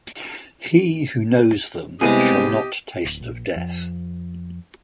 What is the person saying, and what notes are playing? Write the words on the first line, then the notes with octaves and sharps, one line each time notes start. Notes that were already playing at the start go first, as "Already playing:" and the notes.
He who knows them shall not taste of death.
C2 G#3 B3 C4 G4 G#4 D#5 D#7
D1
A#1
F2